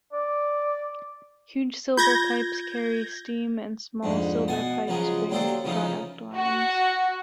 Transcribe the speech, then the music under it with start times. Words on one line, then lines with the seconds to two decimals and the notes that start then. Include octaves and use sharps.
Huge silver pipes carry steam and small silver pipes bring product lines.
0.13 D5
1.97 F4 G6 G#6 A#6
4.03 F2 G#2 D3
4.48 B2 F#5 G#5 A5
4.87 C#3 F3 F#3 G#3 G#4
5.30 D#2 F#3 D4 G4 A4 C5
5.64 C#3 E3 F3 A3 D#4
6.36 F#4